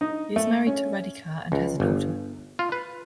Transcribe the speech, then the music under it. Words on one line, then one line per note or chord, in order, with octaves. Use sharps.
He is married to Radhika and has a daughter.
D#4
A3
C#4
C#2
G1
F4
B4